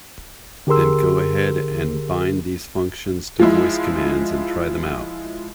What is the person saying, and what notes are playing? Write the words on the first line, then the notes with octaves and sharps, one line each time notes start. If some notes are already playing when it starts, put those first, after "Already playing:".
Then go ahead and bind these functions to voice commands and try them out.
D3 G4 G#4 A#4 C6 E6
F3 G#3 E4